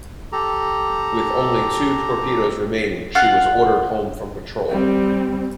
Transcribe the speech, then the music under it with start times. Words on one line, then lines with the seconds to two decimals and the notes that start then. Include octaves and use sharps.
With only two torpedoes remaining, she was ordered home from patrol.
0.32 G4 A4 A#5
3.15 F4 F5 F#5
4.70 G3 C4